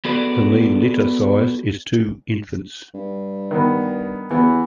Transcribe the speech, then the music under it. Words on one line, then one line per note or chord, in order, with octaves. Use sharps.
The mean litter size is two infants.
B3 F#4 G#4 A4 B4 D5
G2
D#3 B3
E2 E3 B3